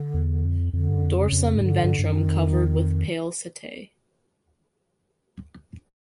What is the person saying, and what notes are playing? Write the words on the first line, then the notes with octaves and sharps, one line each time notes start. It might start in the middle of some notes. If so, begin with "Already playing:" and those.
Dorsum and ventrum covered with pale setae.
Already playing: D3
E2
F2
F2 D3
G2
F#2
F2
C#3
F2
G#2
G2 D3
G2
G2
F#2 D#3
F2
E2
F2